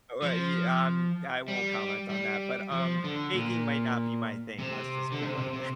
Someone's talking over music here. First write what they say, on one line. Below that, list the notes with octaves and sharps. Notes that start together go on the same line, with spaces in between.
uh, wa ye um, I won't comment on that, but, um, baking might not be my thing, let's just put it like
F3
G3
G3
F3
D3
A#2
C3
D3
C3
C3
C3